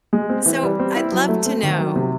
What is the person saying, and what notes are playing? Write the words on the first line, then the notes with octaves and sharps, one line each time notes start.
So, I'd love to know
G#3
C4
E3
G3
C4
E4
F#3
A3
C4
D#3
F#3
C3